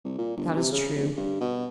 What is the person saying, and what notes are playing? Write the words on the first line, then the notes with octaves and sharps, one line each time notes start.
"That is true."
C2
A#2
G1
C3
C#3
F1
G2
B2